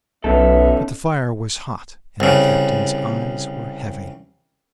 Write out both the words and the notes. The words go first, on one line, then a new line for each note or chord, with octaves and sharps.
But the fire was hot, and the captain's eyes were heavy.
B1 B3 C#4 D#4 A4 E5
C2 C#3